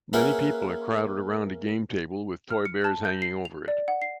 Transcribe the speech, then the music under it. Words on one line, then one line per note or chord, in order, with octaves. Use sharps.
Many people are crowded around a game table with toy bears hanging over it.
A#3 C#4 E4 G#4 B4 F#5
F6
C#7
A5
G6
C7
F7
D5
F#5
C7